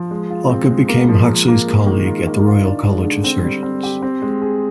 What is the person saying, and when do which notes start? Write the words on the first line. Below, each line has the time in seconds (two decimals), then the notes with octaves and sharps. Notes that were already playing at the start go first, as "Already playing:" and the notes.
Hulke became Huxley's colleague at the Royal College of Surgeons.
Already playing: F3
0.11 G#3
0.30 F4
0.50 C4
0.70 G#3
0.89 A#3
1.09 F3
1.28 A#3
1.48 A#3
1.68 G#3
1.87 D#3
2.07 F4
2.27 D#3
2.47 F4
2.66 D4
2.84 G#3
3.04 D3
3.24 C4
3.43 G3
3.63 C4
3.83 G4
4.02 C4
4.22 G#3
4.42 G#4